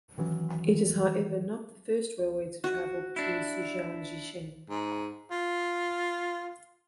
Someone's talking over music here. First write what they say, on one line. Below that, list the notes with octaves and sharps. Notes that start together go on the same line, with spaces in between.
It is however not the first railway to travel between Suzhou and Jiaxing.
D#3 E3 F#3 C#4
F#4
D4 E4
G#2
F4